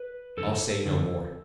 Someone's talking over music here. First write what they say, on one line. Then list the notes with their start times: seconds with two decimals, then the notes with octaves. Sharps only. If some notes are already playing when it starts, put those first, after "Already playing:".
I'll say no more.
Already playing: B4
0.37 F#2 D3 A4
0.86 F#2 D3